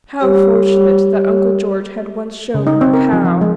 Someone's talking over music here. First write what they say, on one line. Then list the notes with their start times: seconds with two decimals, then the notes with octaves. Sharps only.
How fortunate that Uncle George had once shown her how!
0.20 G3 G4 C#5
2.54 C#3
2.67 D#4
2.81 C4
2.94 A#4
3.13 F3
3.25 F3
3.41 G#3